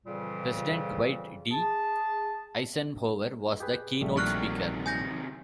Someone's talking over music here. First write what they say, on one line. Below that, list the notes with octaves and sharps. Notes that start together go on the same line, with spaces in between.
President Dwight D. Eisenhower was the keynote speaker.
F2 A#2 C#3 E3 G3
G#4 A5
G4 G#4 B4
A#1 G3 A3
C3 D#3 F#3 C#6 F6 F#6
G#5 G6 A#6